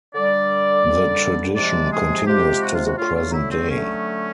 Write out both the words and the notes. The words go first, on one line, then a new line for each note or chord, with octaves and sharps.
The tradition continues to the present day.
D3 G3 D5
D3 G3
C3 F3 G#3 D5
G#4
C3 F3 G#3 G4
F#4
F4
F#4
D3 F#3 A3 F4
F4
D#4
E4
C4
D3 F#3 A3 C#4